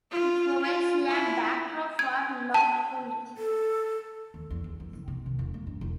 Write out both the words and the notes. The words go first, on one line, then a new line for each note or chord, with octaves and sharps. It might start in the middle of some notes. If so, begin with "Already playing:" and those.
It provides a backdrop for Lough Coolin.
F4
F4
E4
G#6
A5
A4
D#2
E2
E2
F#2
F#1
C3
D#2
E1
A#3
G2
E1